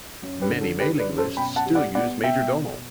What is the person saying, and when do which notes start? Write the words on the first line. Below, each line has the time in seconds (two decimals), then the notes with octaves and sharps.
Many mailing lists still use Majordomo.
0.22 F#2
0.41 G4 B4
0.51 D3
0.61 A4
0.80 G3 G4 B4
0.99 B4 D5
1.09 F#2
1.18 A4 C5
1.37 B2 G5 B5
1.56 F#5 A5
1.66 G3
1.75 D5 F#5
1.95 B3 D5 F#5
2.23 B2 E5 G5
2.52 B2